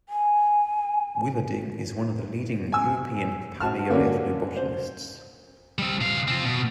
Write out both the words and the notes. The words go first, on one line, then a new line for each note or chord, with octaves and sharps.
Willerding is one of the leading European palaeo-ethnobotanists.
G#5
G#5 E6
F#4 A5 F6
D3 A#3 C#4 D4 F#4
C5
G3 C4
C3 F5
C4 F4
B2